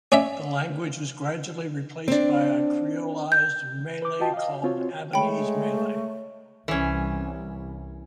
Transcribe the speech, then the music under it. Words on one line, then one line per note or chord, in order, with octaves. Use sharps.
The language was gradually replaced by a creolised Malay called Ambonese Malay.
C#4 D5 E5
C4 D4
G6
B4 D6
F4 F#4 D#5 G5 A5
D#5 F5
C4 F4 F#4 C#5
G#3 A3 C#5 G5 B5
C2 E3 C#4